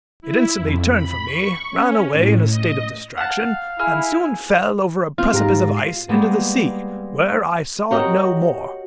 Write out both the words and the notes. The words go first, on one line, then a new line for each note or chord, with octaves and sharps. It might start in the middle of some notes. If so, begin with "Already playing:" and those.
It instantly turned from me, ran away in a state of distraction, and soon fell over a precipice of ice into the sea, where I saw it no more.
E4
F2
B5
C#6
C#4
A2
D#5
F5 F#5 A5
E4 G#4 G#5 F6
B3 C4 F4 F6
G#2 G4 A#5 A#6
C7
G3 G#3 A#3 B3
F#4 G4 A#4 C#5 D#5